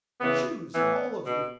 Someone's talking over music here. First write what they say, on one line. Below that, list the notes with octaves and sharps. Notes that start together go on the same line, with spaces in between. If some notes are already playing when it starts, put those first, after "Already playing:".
"Choose, all of you!"
C#3 E3 B3
A2 E3 B3
B2